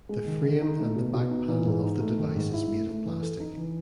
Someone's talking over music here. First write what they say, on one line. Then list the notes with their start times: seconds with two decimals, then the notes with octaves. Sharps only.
The frame and the back panel of the device is made of plastic.
0.09 G#3
0.27 D#3
0.44 D#3
0.62 D#4
0.79 A3
0.96 B2
1.14 B2
1.31 D#4
1.48 E3
1.66 G#2
1.84 D#4
2.00 A3
2.18 D#3
2.35 G#2
2.53 E4
2.70 A3
2.87 A3
3.05 E3
3.22 A4
3.40 D#4
3.57 E3